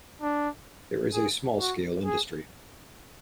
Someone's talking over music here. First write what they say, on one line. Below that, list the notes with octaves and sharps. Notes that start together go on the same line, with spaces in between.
There is small scale industry.
D4
G#4
F#4
G#4